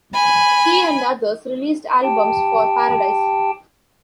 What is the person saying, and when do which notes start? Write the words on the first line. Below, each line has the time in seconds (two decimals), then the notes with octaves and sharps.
He and others released albums for Paradise.
0.14 G#5 B5
2.03 G4 G5 A5